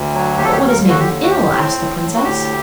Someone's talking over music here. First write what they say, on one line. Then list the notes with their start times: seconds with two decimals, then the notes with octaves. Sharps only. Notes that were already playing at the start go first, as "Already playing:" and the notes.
'But what has made him ill?' asked the princess.
Already playing: D2
0.13 F#3
0.37 D#2 G4
0.44 A4
0.52 G4
0.60 D#2
0.68 A#4
0.84 D3
0.89 F#4
1.00 G4
1.07 D#2
1.23 F#4
1.31 A2 G4
1.54 C4
1.78 A2
2.01 A2
2.16 F#4
2.24 D2 G4